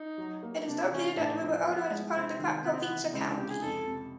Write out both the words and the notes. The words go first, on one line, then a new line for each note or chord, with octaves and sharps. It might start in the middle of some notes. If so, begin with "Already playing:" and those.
It is located at the river Oder and is part of the Krapkowice County.
Already playing: D#4
F#3
A#3
C3 D4
E3 C#4
A2 D4
F3 C4
F3 B3
G#3
C3 C4
D#3
C3 B3
C4
B3
E3
C#2 C4
D4
C3 G4
G#4
F2 A4
C3